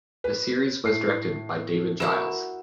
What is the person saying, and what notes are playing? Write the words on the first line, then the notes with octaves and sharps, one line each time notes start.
The series was directed by David Giles.
B4
A2 C7
E4 F#4 A#4 E7